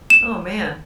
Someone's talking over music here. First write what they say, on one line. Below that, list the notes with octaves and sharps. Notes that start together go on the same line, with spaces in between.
Oh, man.
E7